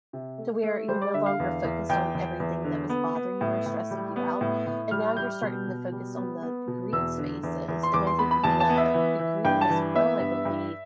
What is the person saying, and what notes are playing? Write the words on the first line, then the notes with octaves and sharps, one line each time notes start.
to where you're no longer focused on everything that was bothering you or stressing you out, and now you're starting to focus on the green spaces. And I think the, uh eh, green as well, I believe,
C3
A3
A3
G3 C5
D5
D3 E5
F5
E2
E2
E2 G5
E2
E2
D3
B3
B3
A2
A2
G3
B3
A2
A2
G3 F6
G3 G6
B2
B2
G3
B3
B3
B2
E2 E6
D3
E2
E2
C6
E2 D6
C6
B3 B5
B5
E2 A5
A5
B3
E5
E3
E3
G2 G5
A5
E3
B3 E5
G2
G2